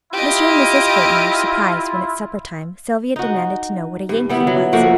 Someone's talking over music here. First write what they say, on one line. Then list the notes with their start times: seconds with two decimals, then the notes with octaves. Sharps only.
Mr. and Mrs. Fulton were surprised when at supper time Sylvia demanded to know what a "Yankee" was.
0.13 E4 F4 G4 D#5
3.16 D#4 F#4
4.09 G2
4.29 G3 B3 E4
4.47 F#3
4.73 F3 A3 A#3 F#4